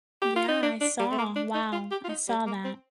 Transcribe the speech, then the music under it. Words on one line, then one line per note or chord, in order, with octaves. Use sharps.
Yeah, I saw. Wow, I saw that.
G4
F4
D#4
D4
D4
G3
A3
A#3
D4
D#4
F4
G4
F4
D#4
G3
A#3
C4